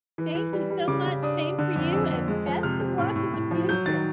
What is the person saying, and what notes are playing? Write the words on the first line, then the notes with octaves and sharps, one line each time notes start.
Thank you so much. Same for you, and best of luck in the future.
E3
E3
G3
G3
C#3 D6
C#3
D4 D#6
D4
D3
F2
F2 E6
F2
G#3
F3
C3 F6
C3
A2
A2
A2
F3
F#3 G6
D#3 A6